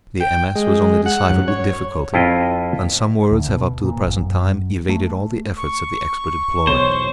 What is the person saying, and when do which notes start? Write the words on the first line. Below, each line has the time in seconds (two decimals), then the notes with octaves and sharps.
The MS. was only deciphered with difficulty, and some words have up to the present time evaded all the efforts of the expert employed.
0.21 G5
0.55 G#3
1.06 F#5
1.30 F#2
1.48 C#5
2.14 F2 E4 F4 D#5
3.31 D2
3.49 B2
3.84 A#2
4.06 G1
4.20 F#2
4.89 A3
5.57 C#6
6.67 B1 E2 B2 C5 C#5